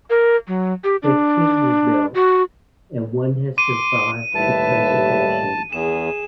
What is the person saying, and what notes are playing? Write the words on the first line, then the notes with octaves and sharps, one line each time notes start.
Fifteen were built, and one has survived to preservation.
A#4
F#3
G4
D4
F#4
C6 D6 D#7
D#2 A2 G3 B4 E5 A5
E2 G#4 E7